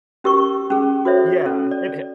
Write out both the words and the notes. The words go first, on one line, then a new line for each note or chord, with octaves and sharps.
Yeah, it ha
C#4 G4 A#4 C#6
C#4 G#4
F#4 A4 C5 C#5 E5
C#4 A4
D5